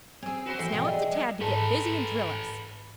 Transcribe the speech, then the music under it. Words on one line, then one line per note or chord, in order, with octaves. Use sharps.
It's now up to Tad to get busy and drill us.
C4 G#4 G#5 E6
F#4 B4 C5
E3 F3 A4 E5 G5
B2 E3 F3
G#4 D5 D#5
G3
G#2 A4 B4 A5